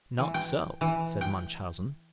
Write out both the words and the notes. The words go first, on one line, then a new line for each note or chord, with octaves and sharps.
"Not so," said Munchausen.
E3
G5
E3
G5